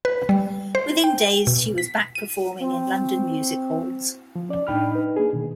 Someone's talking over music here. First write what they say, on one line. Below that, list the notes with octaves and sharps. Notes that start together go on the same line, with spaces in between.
Within days she was back performing in London music halls.
B4
G3
C5
G5
B2
B6
D#7
C4
F3
C#4 D5
A2 D4 D#4 G5 B5 F6
D#4 B4
A#3 D4 G#4
B2 D#3